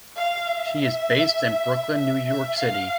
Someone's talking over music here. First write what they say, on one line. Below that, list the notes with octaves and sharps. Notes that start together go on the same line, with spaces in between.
She is based in Brooklyn, New York City.
F5
E5
E5
E5
F5